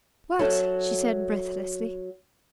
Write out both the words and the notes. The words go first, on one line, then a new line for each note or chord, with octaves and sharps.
"What?" she said breathlessly.
F#3 A4 E5